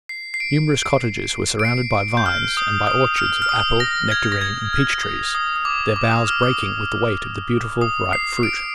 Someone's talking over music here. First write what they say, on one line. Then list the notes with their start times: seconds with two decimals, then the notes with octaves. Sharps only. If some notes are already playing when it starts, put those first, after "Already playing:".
Numerous cottages were surrounded by vines, and by orchards of apple, nectarine, and peach-trees--their boughs breaking with the weight of the beautiful ripe fruit.
0.09 C7
0.34 C7
0.40 D7
1.59 D7
1.65 C7
2.17 G6
2.26 F6
2.57 D#6
2.87 D#6
3.18 F6
3.42 F6
3.49 D#6
3.80 A#6
4.12 G#6
4.32 A#6
4.41 G#6
4.73 F6
5.03 D#6
5.35 D#6
5.56 D#6
5.65 D6
5.96 D6
6.11 D#6
6.28 F6
6.43 D#6
7.81 D#6
8.13 C7
8.43 D7